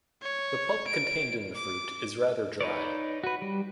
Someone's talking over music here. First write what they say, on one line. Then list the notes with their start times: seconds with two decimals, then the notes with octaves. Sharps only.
The pulp contained in the fruit is rather dry.
0.22 C#5
0.87 D7
1.55 D6
2.61 D#4 B4 C#5 D5
3.24 F#4 B4
3.42 G3